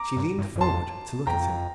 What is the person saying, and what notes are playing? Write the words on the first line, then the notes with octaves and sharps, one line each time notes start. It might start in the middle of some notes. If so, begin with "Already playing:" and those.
She leaned forward to look at him.
Already playing: A#5 D6
G2
G2
G2
F2 A5 C6
F2 G5 A#5